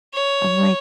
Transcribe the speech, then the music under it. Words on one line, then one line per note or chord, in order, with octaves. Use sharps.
I'm like,
C#5